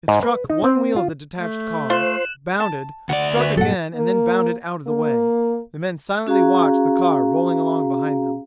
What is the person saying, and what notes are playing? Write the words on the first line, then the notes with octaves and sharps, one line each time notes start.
It struck one wheel of the detached car, bounded, struck again and then bounded out of the way. The men silently watched the car rolling along behind them.
G#2
B4
D#4
C4
F4
A3
F4 C5 C6 F#6 E7
A5
D2 D5 F#5
F#4 B4 E5
G2 A#2 F#3 A4 F#5
A#3
A#3
C#4 F#4 G#4 F5 A#5